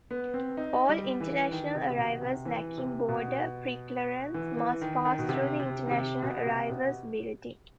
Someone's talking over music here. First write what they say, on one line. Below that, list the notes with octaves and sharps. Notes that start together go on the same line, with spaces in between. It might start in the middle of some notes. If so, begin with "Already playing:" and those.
All international arrivals lacking border preclearance must pass through the International Arrivals Building.
B3
C4
D#4
G3
E3
D#3
C3
C3
B2
C3
E3
C3
B2
E3
E3
D#3
D#3
B2
C3
C3
D#3
C3
B2
C3
B2